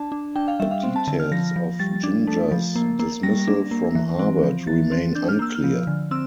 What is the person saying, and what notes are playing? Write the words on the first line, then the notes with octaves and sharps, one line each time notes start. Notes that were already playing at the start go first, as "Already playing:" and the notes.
The details of Ginger's dismissal from Harvard remain unclear.
Already playing: D4 A5
D4
D4 G5
F5
G3 E5
F5
C4
A5
D3 A5
F6
F3 A#6
F3
G3 A6
D4
A3
F3
A#3
A#3
G3 A#6
D4
A#3
E3
C4
F3
E3 A6
C4
D4 G6
F6
A#3 E6
F6
F3
D3
C4 E6